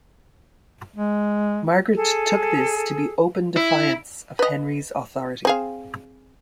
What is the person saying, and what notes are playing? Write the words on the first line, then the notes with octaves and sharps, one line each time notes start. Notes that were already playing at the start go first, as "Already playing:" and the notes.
Margaret took this to be open defiance of Henry's authority.
G#3
G#4 A4
E4
B4 D#5
C4 G#4 F5